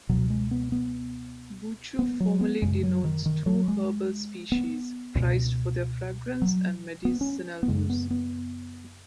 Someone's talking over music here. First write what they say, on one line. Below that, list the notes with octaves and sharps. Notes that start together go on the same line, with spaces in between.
Buchu formally denotes two herbal species, prized for their fragrance and medicinal use.
C#2 B2 F#3
G#3
B3
B3
B3
F#3
B3
F#2 C#3 G#3
F#3
D#3
D#3
F#3
G#3
B3
C#2 B2
F#3
B3
C#4
B3
F#2 C#3 G#3
B3
B3